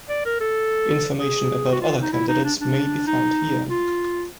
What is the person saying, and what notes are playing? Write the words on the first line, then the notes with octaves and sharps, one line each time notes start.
Information about other candidates may be found here.
D5
A#4
A4
G#4
F#4
F4
D#4
E4
D#4
D4
D4
D#4
F4